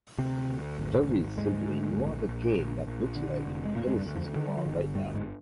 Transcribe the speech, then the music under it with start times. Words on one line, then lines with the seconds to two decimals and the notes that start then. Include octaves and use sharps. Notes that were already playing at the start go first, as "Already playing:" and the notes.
There is simply no other game that looks like Genesis Noir right now.
0.18 D2 C3 C4
0.48 D2
0.78 G#1
1.08 G#1
1.37 D2 G#2 G#3
1.68 D2
1.97 A#1
2.27 A#1
2.57 A#1
2.87 A#1
3.16 D3
3.46 F1
3.65 G#3
3.76 D2 A#2 A#3
3.87 G#3
3.96 G2 G3
4.05 D2
4.16 F2 F3
4.36 D3 D#3
4.48 G3
4.57 F3
4.65 G1 D#3
4.95 D2 G2 G3
5.15 G#2 G#3